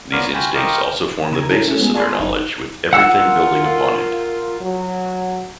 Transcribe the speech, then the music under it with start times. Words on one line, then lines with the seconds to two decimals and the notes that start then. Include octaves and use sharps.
These instincts also form the basis of their knowledge with everything building upon it.
0.12 B3 F4 A#4 C#5 D5 F6
0.34 F4 F#4 G5 G#5 B5
0.55 F4 G4 A#4 C5 D#5 C#6
1.32 C#3 A#5 G#6
1.49 C#4 E4 A4 A#4
1.67 A3 C#4 A4
1.79 G#3 B3 G#4
1.94 F4 D5 G#5 A5 B5 C6
2.20 G1 F#2 D#4
2.93 F4 A#4 F#5 E6
4.61 F#3